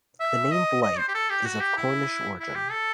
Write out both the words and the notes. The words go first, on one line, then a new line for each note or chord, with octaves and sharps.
The name Blight is of Cornish origin.
E5
D#5
D#5
C5
G4
A4
G4
F#4
G4
E4
E4
G4
A4